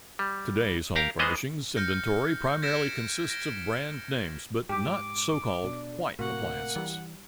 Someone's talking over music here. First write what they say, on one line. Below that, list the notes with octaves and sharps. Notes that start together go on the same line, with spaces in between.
Today's home-furnishings inventory primarily consists of brand names but not so-called white appliances.
G3
G4 A#4 F5 A#5
E3 G#3 B3 G#4 C5 D#5
F6 G6 A#6 C#7
G#6 A#6 B6 C#7 D7 E7
A#6 D7 G7
G#2 G4 D6
B2 D4
A2 C3 A#3 F#4 F#5
E3 G3